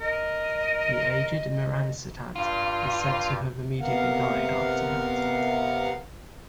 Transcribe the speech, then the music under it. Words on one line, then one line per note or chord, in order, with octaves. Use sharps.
The aged Mihransitad is said to have immediately died after that.
A#4 D#5
G2 F4
C3 B3 A#4 F5 F#5